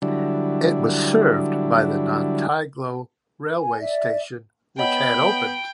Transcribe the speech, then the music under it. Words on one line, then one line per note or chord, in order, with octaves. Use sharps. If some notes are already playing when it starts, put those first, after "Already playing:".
It was served by the Nantyglo railway station which had opened.
D3 F#3 G3 D4 E4
G#5
D5 E5
B3 C#5 D#5 F#5 G5 B5